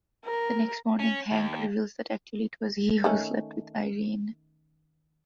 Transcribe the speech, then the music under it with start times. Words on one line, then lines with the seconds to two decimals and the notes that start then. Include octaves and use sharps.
The next morning, Hank reveals that actually it was he who slept with Irene.
0.25 A#4
0.99 C#4
1.31 D#2
3.04 D#3 A3 C#4